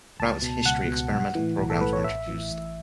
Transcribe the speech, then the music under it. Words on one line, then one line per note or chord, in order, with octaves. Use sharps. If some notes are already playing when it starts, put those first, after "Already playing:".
Throughout its history experimental programmes were introduced.
C#2 A5
B2
C#2 F#5
B2
B1
A2 E3
B1
A4
A2 E3 B4
C#5
A1 E5
A2 E3
A1